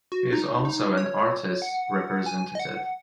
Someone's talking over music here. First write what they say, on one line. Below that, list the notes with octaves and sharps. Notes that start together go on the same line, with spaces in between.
He is also an artists representative.
F#4
D#4
D#4
C#5
F#5
G#5
D#5
F#5